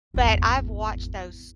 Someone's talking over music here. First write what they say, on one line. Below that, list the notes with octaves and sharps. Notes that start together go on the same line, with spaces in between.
But I've watched those
G#1 E2